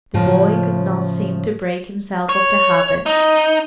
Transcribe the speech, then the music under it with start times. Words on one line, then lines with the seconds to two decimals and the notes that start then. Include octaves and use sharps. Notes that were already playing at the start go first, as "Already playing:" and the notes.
The boy could not seem to break himself of the habit.
0.14 A2 C#3 F3 F4
2.29 C#5
3.06 D#4